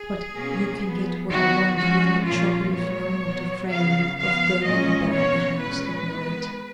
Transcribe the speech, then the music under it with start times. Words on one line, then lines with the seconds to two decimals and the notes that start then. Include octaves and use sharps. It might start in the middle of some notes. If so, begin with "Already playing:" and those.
But you can get what I want without trouble if you are not afraid of going about the house at night.
Already playing: G#4
0.33 B2 A#3 C#4
0.82 F3 B3
1.30 D#3 F#3 B3 F#4
1.77 F3 G#3 C#4 F#4
2.25 A#2 F3 A#3 C#4 F4
2.73 A#2 G#3 B3 C#5
3.21 A#2 F#3 B3
3.69 C#3 F#3 B3 F5
4.17 F3 B3 F5
4.65 A#2 G#3 C#4 D#5
5.13 B2 A#3 C#4 C#5
5.61 A#2 G#3 C#4 B4
6.09 D#3 G#3 B3